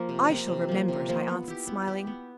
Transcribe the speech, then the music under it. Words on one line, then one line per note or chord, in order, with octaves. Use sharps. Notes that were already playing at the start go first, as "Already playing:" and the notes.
'I shall remember it,' I answered, smiling.
Already playing: F3 A#3
C3
F3 A#3
C3
F3 A#3
C3
F3 A#3
B3
E4 G4
B3
E4 G4
B3